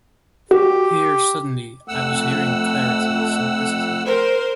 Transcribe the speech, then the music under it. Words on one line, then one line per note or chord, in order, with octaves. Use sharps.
Here, suddenly, I was hearing clarity, simplicity.
F#4 G4
F2 A3 F#5 E6
A#4 C5